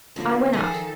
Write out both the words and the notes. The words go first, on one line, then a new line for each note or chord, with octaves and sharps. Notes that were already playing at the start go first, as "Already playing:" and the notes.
I went out.
D3 F3 A#3 D4 F#4
D#3 F3 G#4 A4